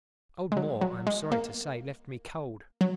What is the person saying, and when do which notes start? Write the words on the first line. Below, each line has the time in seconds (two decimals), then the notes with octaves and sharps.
Old Moore, I am sorry to say, left me cold.
0.52 G#3
0.57 F#3
0.81 F#3
1.07 G#3
1.32 A#3
2.81 F#3